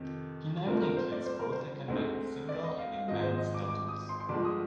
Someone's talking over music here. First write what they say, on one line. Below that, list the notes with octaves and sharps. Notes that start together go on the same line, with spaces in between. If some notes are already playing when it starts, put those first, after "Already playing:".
He normally plays both in the men's singles and in men's doubles.
Already playing: F2 C3 D#3
G1 G2 D3 F3 C4 A#4
A#4
C5
D5
C5
A#4
C5
D2 D3 G#3 C4 D#4
D5
D#5
F5
F5
G#1 G#2 F3 G#3 D#5
C5
D#5
D6
D6
D#6
C6
C6
G1 G2 F3 G#3 D6
D#6